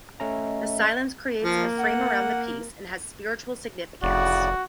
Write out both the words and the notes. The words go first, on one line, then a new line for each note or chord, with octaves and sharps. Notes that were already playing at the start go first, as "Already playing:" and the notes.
This silence creates a frame around the piece and has spiritual significance.
A3 C#4 D#5 E5 A#5
F3 A#3
F#5
F1 A2 C#3 F#4 D5